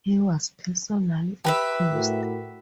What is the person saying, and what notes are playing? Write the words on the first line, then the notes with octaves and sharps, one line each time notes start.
He was personally opposed.
G4 B4 E5
A2 F#4 A#4